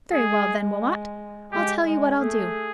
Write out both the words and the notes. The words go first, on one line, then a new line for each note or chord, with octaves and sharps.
Very well, then, Wilmot, I'll tell you what I'll do.
G#3 G#4
G#3 G4
G#3
A3 G#4